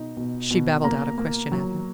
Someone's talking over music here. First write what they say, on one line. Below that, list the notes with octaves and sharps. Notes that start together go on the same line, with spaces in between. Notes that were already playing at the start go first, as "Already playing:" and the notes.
She babbled out a question at him.
Already playing: B2 D#4
B2
B2
A#3 A#5
A#3
F#3